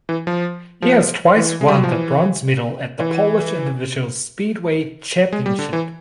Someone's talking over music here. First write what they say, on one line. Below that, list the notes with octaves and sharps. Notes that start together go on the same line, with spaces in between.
He has twice won the bronze medal at the Polish Individual Speedway Championship.
E3
F3
F3
E3
G#3
G3
F#3
F3
E3
E3
G#3
G3
D3
E3